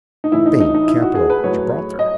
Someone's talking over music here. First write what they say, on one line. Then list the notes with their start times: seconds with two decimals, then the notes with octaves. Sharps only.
"Spain--capital, Gibraltar."
0.24 D#4
0.32 A2 E3 E4
0.46 D#4
0.60 D#4
0.74 D#4
0.88 E4
1.02 F#4
1.15 G#4
1.30 B4
1.44 A2 F#3 C#5
1.99 D#5